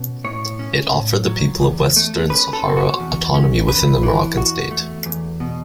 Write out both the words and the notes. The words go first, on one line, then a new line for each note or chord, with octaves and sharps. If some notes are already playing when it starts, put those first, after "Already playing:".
It offered the people of Western Sahara autonomy within the Moroccan state.
Already playing: B2 C#4
A2 C#5
C#4
A2
F#3
E2
A3
C#4 B4
A4
B2
F#4
E2
C#4
E2 B4
E3
E2 F#4
A3
E2
B2